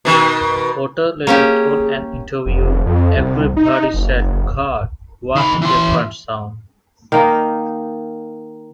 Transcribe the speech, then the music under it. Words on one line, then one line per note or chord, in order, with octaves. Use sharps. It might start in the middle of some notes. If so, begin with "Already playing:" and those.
Porter later told an interviewer: Everybody said, 'God, what a different sound!
B2 D#3
A#3 C#4 G4 G#4
F1
F2
C2
D#4
F#1
D#3 B5
E3 C6
D#3 A#3 D#4